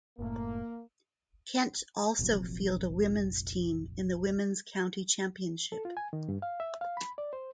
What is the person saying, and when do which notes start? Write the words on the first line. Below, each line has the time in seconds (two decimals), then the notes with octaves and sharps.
Kent also field a women's team in the Women's County Championship.
0.19 F#1 A2 A#3
2.19 F1 A#1 F2 F#3
5.72 A4
5.85 F4
5.97 G#5
6.13 D#3
6.29 G2
6.42 F5
6.60 E5
6.81 F5
6.97 B5
7.18 D5
7.33 C5